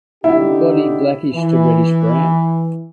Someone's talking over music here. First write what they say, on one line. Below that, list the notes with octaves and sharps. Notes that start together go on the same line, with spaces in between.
Body blackish to reddish brown.
D3 D#4 E4 G4
E3